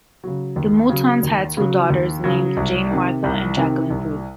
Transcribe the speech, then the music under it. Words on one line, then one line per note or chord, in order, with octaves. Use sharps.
The Moutons had two daughters named Jane Martha and Jacquelyn Cruse.
C#3 F#3
D#2
C#3 F#3
D#2
C#3 F#3
D#2
C#3 F#3
C2
C3 D#3
C2
C3 D#3
C2